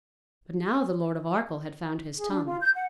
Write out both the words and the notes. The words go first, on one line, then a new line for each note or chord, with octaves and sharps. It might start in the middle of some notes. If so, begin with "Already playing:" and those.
But now the Lord of Arkell had found his tongue.
G#4
D4
F4
G6
F#5